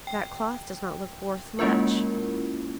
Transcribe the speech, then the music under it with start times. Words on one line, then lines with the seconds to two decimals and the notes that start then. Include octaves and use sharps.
'That cloth does not look worth much!'
0.07 G5
1.59 G#3 A#3 C#4 E4 F4 A#4